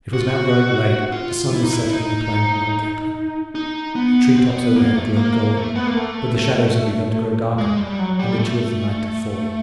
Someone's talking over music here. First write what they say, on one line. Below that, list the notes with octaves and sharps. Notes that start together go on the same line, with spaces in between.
It was now growing late; the sun was setting in the plain beyond Kettley; the tree-tops overhead glowed golden; but the shadows had begun to grow darker and the chill of the night to fall.
F#4
F4
F#4
F4
E4
D#4
E4
D#4
D#4
B3
C4
B3
A#3
A3
A#3
A3
B3
A#3
A3
G#3
G3
F#3
G3
A3